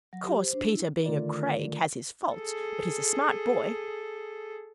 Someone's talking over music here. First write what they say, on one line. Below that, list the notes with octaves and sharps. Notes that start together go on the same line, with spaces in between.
Of course, Peter, being a Craig, has his faults, but he's a smart boy.
F#3
G4
C5
D4
E4
D3 D#3 A3 F4 A#4 D5
G#4 A4